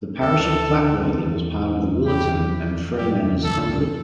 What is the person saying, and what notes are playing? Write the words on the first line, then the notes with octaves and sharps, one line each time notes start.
The parish of Clatworthy was part of the Williton and Freemanners Hundred.
D2 D3 A4
D3
E2 E3
G4
G3
F#2 F#3 G4
D3
E2 E3
C#3
D2 D3 A4
C#3